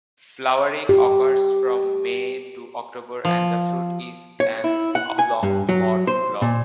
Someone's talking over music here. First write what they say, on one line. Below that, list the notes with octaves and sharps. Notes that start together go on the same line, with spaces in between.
Flowering occurs from May to October and the fruit is an oblong pod long.
G4
F3
C#5
E4
F#5
G#5
G2
F#3
C5
A#2